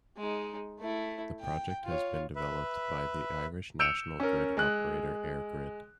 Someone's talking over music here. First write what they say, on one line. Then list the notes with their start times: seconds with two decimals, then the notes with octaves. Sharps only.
The project has been developed by the Irish national grid operator EirGrid.
0.17 G#3 D#4
0.80 A3 E4
1.40 G5
1.84 F4 C#5
2.36 B4 E5
3.79 E6 G6 C#7 D7 E7 F7
4.20 C#4 A#4
4.57 G#3 F#6